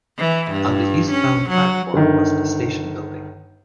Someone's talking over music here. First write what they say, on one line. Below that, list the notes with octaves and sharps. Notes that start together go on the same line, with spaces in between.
On the eastbound platform was the station building.
E3
G2
C#4
F#3
G1 D#3